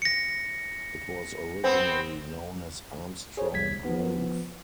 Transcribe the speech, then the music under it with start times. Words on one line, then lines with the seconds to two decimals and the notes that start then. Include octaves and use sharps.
It was originally known as Armstrong Grove.
0.02 A#6 C#7
1.64 B3 C4
3.37 G#4 C5 C#5
3.53 C2 G3 G#6 B6
3.85 F3 B3